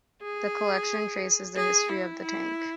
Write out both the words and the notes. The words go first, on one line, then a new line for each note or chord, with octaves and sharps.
The collection traces the history of the tank.
G#4
G#4
E4
E4